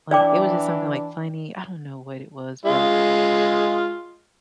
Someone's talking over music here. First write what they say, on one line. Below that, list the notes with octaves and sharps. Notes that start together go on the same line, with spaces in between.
like, it was just something, like, funny I don't know what it was, but
E3 D4 D5 G5 D6
G#3 F4